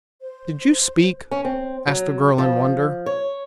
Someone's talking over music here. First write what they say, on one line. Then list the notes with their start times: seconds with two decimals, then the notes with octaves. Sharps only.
"Did you speak?" asked the girl, in wonder.
0.21 C5
1.31 C#4
1.45 C4
1.87 F#3
2.38 F3
3.06 C#5